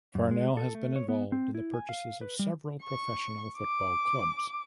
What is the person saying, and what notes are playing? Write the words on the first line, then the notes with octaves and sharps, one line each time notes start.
Farnell has been involved in the purchases of several professional football clubs.
F#2
G#3
A4
A3
C#5
B3
C4
E4
G#5
F5
B4
G3
C#6
D6